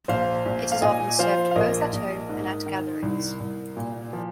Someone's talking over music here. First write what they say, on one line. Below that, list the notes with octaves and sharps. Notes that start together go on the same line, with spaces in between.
It is often served both at home and at gatherings.
A#1 C5 F5
A#1
F5
A#2 D#5 G#5
F3 C5 F5
F5
A#1 A#4 D#5
A#1
G#2
D#3
C2
C2
A#2
F3